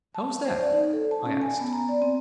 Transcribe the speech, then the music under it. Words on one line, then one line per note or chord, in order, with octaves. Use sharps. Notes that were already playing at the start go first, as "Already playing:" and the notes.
"How is that?" I asked.
A5
C5
D5
D#4
A4
A5
C#4
G#5
B3
A#5
D5
C4